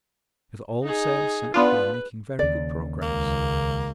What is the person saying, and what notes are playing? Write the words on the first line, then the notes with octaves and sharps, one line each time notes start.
With all sail set we are making very good progress.
D#4 G#4
B3 D4 F4 B4
D#2 C#3 D5
C#2 A#3